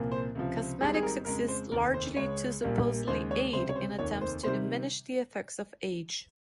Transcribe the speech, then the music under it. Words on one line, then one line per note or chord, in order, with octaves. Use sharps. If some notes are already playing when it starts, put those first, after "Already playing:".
Cosmetics exist largely to supposedly aid in attempts to diminish the effects of age.
Already playing: C2 A#2 F3 A#3
C5
C#2 C3 F3
G#1 G#2 G3 G#4
G#4
A#4
F2 C#3 G#3 A#4
C5
F1 D#2 D#3 A#4
C5
C#2 C#3 G#3 C#5
A#1 A#2 G3 A#3
D#2 C#3 G#3 C5
C#5
C#2 C3 G3 C5
C#5
C5
F1 D#2 D#3 C#5
C5
C3 D#3 G3 C5